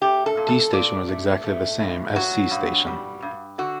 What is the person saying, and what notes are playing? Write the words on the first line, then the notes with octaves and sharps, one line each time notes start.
D station was exactly the same as C station.
A3 G4
A4
A#2
A4
A#2 D5
A3
A3
G2
F#3 F#4
G2
G3
G2
D3 F#4